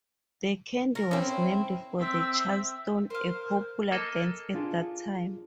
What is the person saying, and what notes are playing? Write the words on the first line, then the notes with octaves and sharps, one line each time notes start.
The candy was named for the Charleston, a popular dance at that time.
A#4
C4 C#4 E4 C5
C4 E5
A#4 C5 F5
A#3 A4 D#5
D4 F4 G#4